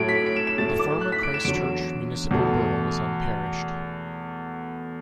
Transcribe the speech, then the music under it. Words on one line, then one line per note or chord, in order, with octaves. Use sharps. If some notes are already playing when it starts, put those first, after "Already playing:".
The former Christchurch Municipal Borough is unparished.
Already playing: A2 F#3 A3 D7
B6
D7
D7
E7
E7
A2 F#3 A3 A6
D6
F#6
B6
D7
E7
E2 D3 F#3 D7
E2 B2 A3